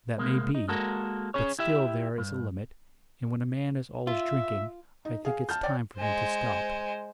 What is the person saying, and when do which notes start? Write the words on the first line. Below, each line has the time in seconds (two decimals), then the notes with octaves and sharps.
"That may be, but still there is a limit, and when a man is always drinking, I think it's time for him to stop."
0.18 C2 G#3 A#3
0.55 D#4
0.68 G#3 A#3 F#4 A4 A#4
1.34 C#4 G#4 C#5
1.59 E4 G4 E5
2.18 G2
4.07 F4 E5
5.05 D#4
5.25 G#4 F5
5.49 A5 F6 G6
5.63 C#5 D5 G5
5.97 G#3 C5